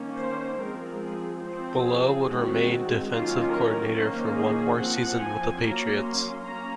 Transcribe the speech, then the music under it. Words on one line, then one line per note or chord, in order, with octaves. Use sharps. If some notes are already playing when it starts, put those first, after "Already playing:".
Bullough would remain defensive coordinator for one more season with the Patriots.
Already playing: D#3 A#3 C#4
C5
F3 G#3 C4 A#4
G#4
F3 C4 C5
G#4
D#3 G#3 C4 F#4
D#3 F#3 A#3 C#4 F4
A#4
D#3 A#3 C#4 C5
G#4
F3 C4 F#5
G#5
F#3 A#3 C#4 A#5
C6
A#3 C#4 A#5